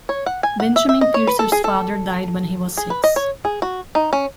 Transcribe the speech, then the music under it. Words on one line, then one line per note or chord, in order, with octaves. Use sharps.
Benjamin Pierce's father died when he was six.
C#5
F#5
G#5
F#5
E5
E5
D#5
C#5
B4
A4
G#4
A4
G#4
B4
D#5
C#5
G#4
F#4
D#4
C#4